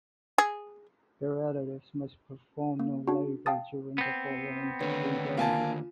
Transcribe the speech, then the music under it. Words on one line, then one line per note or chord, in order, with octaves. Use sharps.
The relatives must perform no labor during the following three days.
G#4
A#3
D4 F#4
F5 G5 A5 D#6 A6
B3 C4
D#2 D3 D4 B4 C#5
A#3 F4 G#5 A5